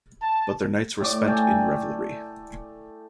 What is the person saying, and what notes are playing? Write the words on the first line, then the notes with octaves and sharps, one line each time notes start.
But their nights were spent in revelry.
A5
A2 D5 D6
A3 D5 G5 G#5